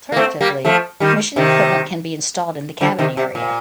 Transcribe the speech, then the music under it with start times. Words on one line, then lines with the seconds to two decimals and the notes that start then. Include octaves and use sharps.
Alternatively, mission equipment can be installed in the cabin area.
0.12 A#3
0.16 A3 C4
0.41 G3 A#3
0.65 F3 A3
1.00 D#3 G3
1.36 C3 D#3
2.81 D3 F3
2.99 C3 D#3
3.17 C3
3.35 A#2